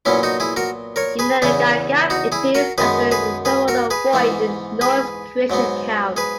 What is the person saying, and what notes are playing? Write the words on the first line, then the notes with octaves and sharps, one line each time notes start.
Ginnungagap appears as the primordial void in the Norse creation account.
A#2 F#3 B3 C#4 E4
D#4 F#4
E4 G#4
F#4 A#4
A#4 C#5
G#4 B4
E2 C#3 E3 E4 G#4
D#4 F#4
E4 G#4
F#4 A#4
F#2 D#3 G#3 B3 G#4 B4
G#4 B4
G#4 B4
F#4 A#4
G#4 B4
G#2 E3 B3
G#4 B4
G#2 F#3 B3
G#4 B4